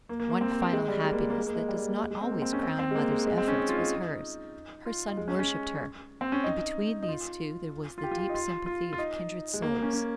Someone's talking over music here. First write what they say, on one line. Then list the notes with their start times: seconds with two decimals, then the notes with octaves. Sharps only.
One final happiness that does not always crown a mother's efforts was hers--her son worshiped her; and between these two there was the deep sympathy of kindred souls.
0.09 A#3
0.20 A#3
0.30 A#3
0.41 C4
0.51 C4
0.62 C4
0.73 G#3
0.88 G3
1.04 G#3
1.13 A#3
1.21 G#3
1.30 A#3
1.39 G#3
1.46 A#3
1.55 G#3
1.68 G3
1.78 G#3
1.88 A#3
2.00 G#3
2.11 G#3
2.21 C4
2.31 A#3
2.42 C4
2.53 C#4
2.63 C4
2.79 C4
2.91 G#3
2.95 A#3
3.11 G#3
3.26 G#3
3.38 C4
3.48 C#4
3.58 D#4
3.69 F4
3.77 D#4
4.86 F4
5.07 D#4
5.17 G#3
5.28 C#4
5.39 C#4
6.21 C4
6.32 C#4
6.44 D#4
7.02 D#4
7.08 F4
7.98 F4
8.03 G4
8.11 F4
8.19 G4
8.29 D#4
8.34 F4
8.66 F4
8.93 F4
8.98 D#4
9.54 G#3
9.62 A#3
9.83 C#4
9.94 C#4